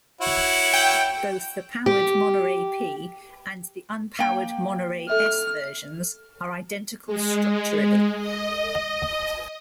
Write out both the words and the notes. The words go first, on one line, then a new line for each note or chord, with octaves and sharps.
Both the powered Monerai P and the unpowered Monerai S versions are identical structurally.
E4 F#4 C#5
G5
G4
A#3 G5
A4 E5 F6
G#3
D#5